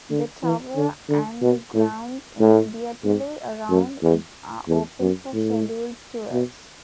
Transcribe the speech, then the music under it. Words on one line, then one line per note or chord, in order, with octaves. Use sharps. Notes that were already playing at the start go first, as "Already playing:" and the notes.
The tower and the grounds immediately around it are open for scheduled tours.
D3
E3
D3
D3
B2
A2
A2
G#2
F#2
E2
E2
F#2
A2
B2